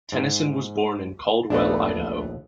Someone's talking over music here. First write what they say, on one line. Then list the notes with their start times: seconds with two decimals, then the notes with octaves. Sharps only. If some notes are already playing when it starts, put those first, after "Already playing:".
Tenison was born in Caldwell, Idaho.
0.12 G#2
1.50 A#1 D#2 A3 B3 D4 D#5